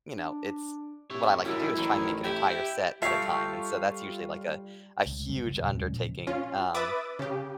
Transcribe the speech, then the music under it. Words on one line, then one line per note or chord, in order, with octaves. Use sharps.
you know, it's What I like to do is try and make an entire set at a time, and so that's usually like a a huge undertaking, um
D4
C3 E4 C#5
F#2 G3 G#3 E4
A1 D#3
E4 G4 G5
G3 F4 A4 E5 F5 G5 C#6
C#2
F#1 C#3 G3 A#3
D#2 A#2 F#3
D#2 C#3 G#3
A#2 C#3 F3
C#4 F4
B4 E5 B5 D6 D#6 A6
C#3 G4